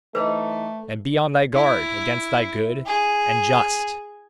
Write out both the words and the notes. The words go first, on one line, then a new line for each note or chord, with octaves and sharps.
And be on thy guard against the good and just!
E3 A3 D#4 B4 C5
E4
G#4